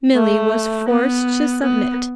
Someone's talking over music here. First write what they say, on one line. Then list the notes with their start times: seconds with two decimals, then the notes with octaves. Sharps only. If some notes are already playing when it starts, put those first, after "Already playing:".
Milly was forced to submit.
0.15 A3
0.88 B3
1.61 B3